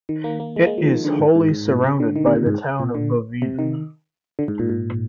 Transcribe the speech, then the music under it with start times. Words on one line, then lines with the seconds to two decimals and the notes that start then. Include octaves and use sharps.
It is wholly surrounded by the Town of Bovina.
0.09 D#3
0.24 A#3
0.40 A#3
0.56 G#3
0.62 A#3
0.67 G#3
0.78 F3
0.88 D#3
1.04 D3
1.19 G#2
1.35 G#2
1.51 G#2
1.67 A#2
1.84 C3
2.00 D3
2.16 D#3
2.26 C3
2.36 A#2
2.46 G#2
2.79 A#2
2.95 D3
3.42 C3
3.59 D#3
4.39 D3
4.48 G#2
4.59 A#2
4.69 A#2